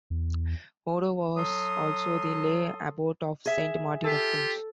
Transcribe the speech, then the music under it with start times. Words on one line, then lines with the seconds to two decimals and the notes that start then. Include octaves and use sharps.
Odo was also the lay abbot of Saint Martin of Tours.
0.10 E2
1.36 F#3 A4 C6 D#6
3.46 G#4 E5
4.04 F4 G4 A4